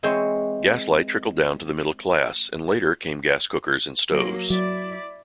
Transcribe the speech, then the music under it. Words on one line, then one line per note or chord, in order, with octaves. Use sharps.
Gaslight trickled down to the middle class and later came gas cookers and stoves.
E3 G#3 C4 C5 C#5
F#3 A#3
F#3 E4 D5